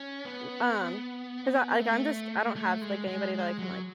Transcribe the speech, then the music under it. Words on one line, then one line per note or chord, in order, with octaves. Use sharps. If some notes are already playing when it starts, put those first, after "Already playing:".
l um 'cause I like, I'm just I don't have like anybody that I can, like,
Already playing: C#4
B3
A3
A3
G#3
G#3
G#3
F#3